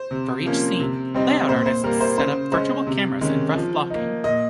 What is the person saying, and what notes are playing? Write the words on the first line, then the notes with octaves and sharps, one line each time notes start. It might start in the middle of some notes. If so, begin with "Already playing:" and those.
For each scene, layout artists set up virtual cameras and rough blocking.
Already playing: C5
C3
F3 A#3 C#4
C3
G3 C4 D#4
A#2 C5
C5
G3 A#3 A#4
C5
C#3 C5
G#3 C#4 C5
C3
D#3 G#3 C#4
F3
A#3 D#4
A#2 D#5